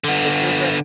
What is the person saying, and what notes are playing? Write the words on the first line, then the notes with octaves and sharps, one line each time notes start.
It feels like
D3 B3